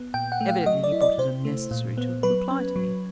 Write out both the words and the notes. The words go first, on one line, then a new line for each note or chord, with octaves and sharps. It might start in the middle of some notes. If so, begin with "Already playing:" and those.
Evidently he thought it unnecessary to reply to me.
Already playing: B3
A#2 G5
F#5
A3
F5
F#3 D#5
D5
E4
D5
C3 C5
A3
A#2
B3
F#3 B4
C#4
F#3